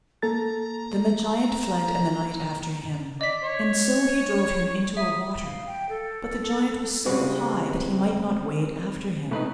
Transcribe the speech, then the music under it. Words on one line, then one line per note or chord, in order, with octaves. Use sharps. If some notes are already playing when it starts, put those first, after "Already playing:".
Then the giant fled and the knight after him, and so he drove him into a water, but the giant was so high that he might not wade after him.
A#3 A4 A#5 A6
D5 D#5 B6
C#5
E5 D#6
F5
G5
A4
C#3 G3 G#3 C4 F#4 B4
F2 A3 D#4 B4